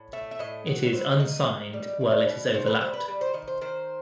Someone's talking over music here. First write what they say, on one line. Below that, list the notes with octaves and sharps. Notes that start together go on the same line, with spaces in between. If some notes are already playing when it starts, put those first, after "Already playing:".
It is unsigned while it is overlapped.
Already playing: A2
A3 E5
E5
A2 D#5
F#3 F#4
G3 C5
D#3 D#5
D#3
G3
G3
B2
B2 C5
B4
G3 C5
B4
G3
C5
D#3 D#5
C5
D#3 C5